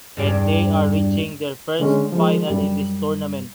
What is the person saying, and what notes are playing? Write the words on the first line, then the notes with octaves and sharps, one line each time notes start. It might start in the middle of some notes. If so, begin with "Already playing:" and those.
And they are reaching their first final in this tournament.
E2 G2 G4
D3 G#3 C#4
F3 G#3
F#2 G3